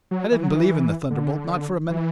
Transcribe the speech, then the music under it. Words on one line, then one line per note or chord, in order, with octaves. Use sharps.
I didn't believe in the thunderbolt, not for a minute.
F#3
E3
F#3
E3
D3
E3